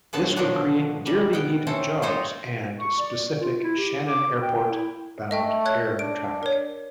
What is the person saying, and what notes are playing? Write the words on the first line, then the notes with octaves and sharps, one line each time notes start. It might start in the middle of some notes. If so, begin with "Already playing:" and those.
This would create dearly needed jobs and specific Shannon Airport bound air traffic.
A#2 D3 F#3 B3 A5
B2 D#3 F3 F#3 D4 F#4
G3
B3 G5
E3 C4 C#4 A4
C4 D#4 F4 C5 C#5
C#6
D5
F4
E4
G4
D6
G5
E4
A3 D#5 E5 G5
C#5 F#6 G#6
D4 D7
A#4 C#5